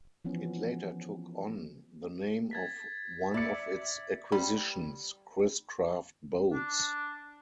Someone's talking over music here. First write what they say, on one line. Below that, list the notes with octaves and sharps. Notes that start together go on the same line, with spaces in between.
It later took on the name of one of its acquisitions, Chris-Craft Boats.
E3 F3 B3 C#4
G#6 A6 B6
D5 E5 C#7
G3
D4